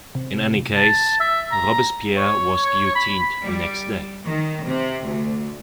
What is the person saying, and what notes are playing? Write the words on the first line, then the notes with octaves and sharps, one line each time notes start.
In any case, Robespierre was guillotined the next day.
C3
A5
E5
A#5
C#5
B5
G3
D#3
C3
D2